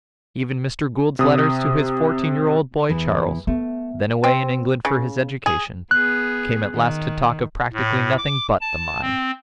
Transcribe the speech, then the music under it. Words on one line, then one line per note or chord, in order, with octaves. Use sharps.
Even Mr. Gould's letters to his fourteen-year-old boy Charles, then away in England for his education, came at last to talk of practically nothing but the mine.
C3 D#6
E2 E3
A3 B3
C4
C#3
G#4
B3 G#4 F#6
D#3
A2
D6
A5
C4